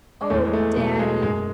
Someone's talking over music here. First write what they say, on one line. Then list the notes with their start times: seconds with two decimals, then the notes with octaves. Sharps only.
Oh, daddy!
0.21 G#3
0.30 E2 A3
0.47 G#3
0.53 A3
0.76 B2 F#3 A3
0.99 G#3
1.22 F#2 G#3